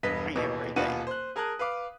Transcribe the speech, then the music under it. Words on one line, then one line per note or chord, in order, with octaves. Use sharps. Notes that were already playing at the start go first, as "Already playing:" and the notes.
I Have a great day.
E1 G2 B4 D#5 B6
A1 D#2 B2 E3
D#1 B2 F4 B4 F#5 D#7
C5 F#6
G#4 A#4 A5 D#6 F#6
B4 F5 D6